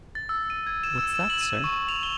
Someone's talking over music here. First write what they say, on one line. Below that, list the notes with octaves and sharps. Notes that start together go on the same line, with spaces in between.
"What's that, sir?"
A6
E6
D#7
G#6
E7
E6
E7
F#7
D#7
C#6
F7
G7